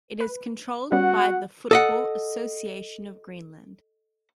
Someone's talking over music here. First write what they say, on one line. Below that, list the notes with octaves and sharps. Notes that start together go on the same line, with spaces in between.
It is controlled by the Football Association of Greenland.
B4
G3 B3 C#4 F#4 F#5
A4 D#5 F#5